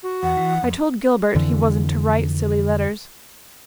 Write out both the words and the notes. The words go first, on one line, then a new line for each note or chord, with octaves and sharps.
I told Gilbert he wasn't to write silly letters.
F#4
E2 F#5
E3
F2
F2 D3 E3